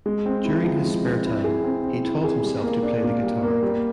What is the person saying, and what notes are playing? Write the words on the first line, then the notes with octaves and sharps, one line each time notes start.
During his spare time, he taught himself to play the guitar.
G#3
C4
E4
F3
G#3
C4
E4
G#4
C4
C4
E4
G#4
G3
A#3
D4
A#2
G3
A#3
G3